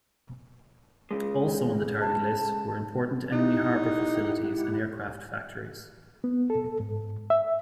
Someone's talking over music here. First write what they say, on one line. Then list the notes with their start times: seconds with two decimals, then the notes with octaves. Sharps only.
Also on the target list were important enemy harbor facilities and aircraft factories.
1.11 C#3 G#3
2.01 A5
3.32 D#4 E4 G4 F#5
6.24 B3
6.50 A4
6.80 G#2
7.30 E5